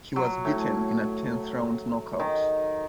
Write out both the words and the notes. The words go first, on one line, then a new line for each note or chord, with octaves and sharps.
He was beaten in a tenth round knockout.
F#3
A2
D#3